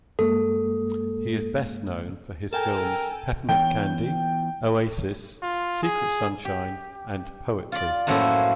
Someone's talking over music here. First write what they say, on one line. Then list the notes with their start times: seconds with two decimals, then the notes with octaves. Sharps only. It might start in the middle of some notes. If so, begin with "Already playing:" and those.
He is best known for his films "Peppermint Candy", "Oasis", "Secret Sunshine", and "Poetry".
0.19 G2 G#3 A#3 A4
2.53 A4 A#4 G5 G#5
3.49 E3 B3 C#5 G5
5.42 F4
5.83 G#4
6.45 G4
7.72 F4 D5
8.07 F#2 A2 F3 F#3 A#3 E4